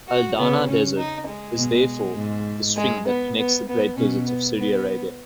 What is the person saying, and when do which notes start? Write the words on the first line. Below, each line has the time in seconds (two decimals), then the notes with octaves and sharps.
Al-Dahna Desert is therefore the string that connects the great deserts of Saudi Arabia.
0.08 F#4
0.37 C#3 B3
0.68 C#4
0.97 D#4
1.28 G#3
1.57 B2
2.17 G#2
2.77 G#3
3.07 B3
3.38 B3
3.68 B3
3.98 B2 C#4
4.27 B3
4.57 B3